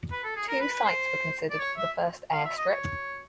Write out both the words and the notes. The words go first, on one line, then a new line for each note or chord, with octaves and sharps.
Two sites were considered for the first air strip.
B4
A4
G#4
A#4
B4
B4
C5
D5
C#5
E5
F5
E5
D#5
C#5